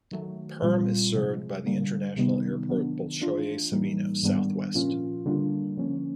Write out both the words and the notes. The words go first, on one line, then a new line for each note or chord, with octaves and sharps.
Perm is served by the international airport Bolshoye Savino, southwest.
D#3 F#3 A3
A#2 G3 C4 F4
C3 F3 G#3
D3 G3 A#3
C3 D#3 G3 B3 D#4
D#3 F#3 B3 D4
E3 A3 D4 F4
A2 E3 G3 A#3 D#4
G#2 D#3 G3 B3 D4
A#2 F3 A#3 C#4 F4
D3 G3 A#3 D4 F4
D3 F3 A#3 C#4